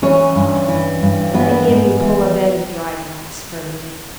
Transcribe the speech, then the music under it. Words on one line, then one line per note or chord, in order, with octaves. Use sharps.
Ah, will any of you pull a bed of dry grass for me?
E3 C#4 C#5
G2
E3
G2
E3 B3 B4
G#2
E3